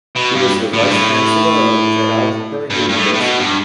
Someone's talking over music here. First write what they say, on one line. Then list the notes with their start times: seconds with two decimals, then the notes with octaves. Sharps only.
He was the vice chancellor of Jadavpur University.
0.16 B2
0.35 G2
0.73 A2
0.81 G2
0.90 A2
2.70 G2
2.89 G2
2.95 A2
3.14 A2
3.20 B2
3.39 G2